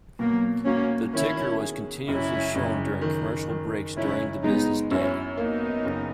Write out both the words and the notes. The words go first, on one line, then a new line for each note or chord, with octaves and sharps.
The ticker was continuously shown during commercial breaks during the business day.
B2 F#3 A#3
A#3 C#4 F#4
D#3 C#4 E4
G#4
F#1 C#4 E4
F#1
D#3
D#3
F#1 C#4 E4
G#3 B3 D#4
F#2 C#4 E4
A#3 B3 D#4
F#1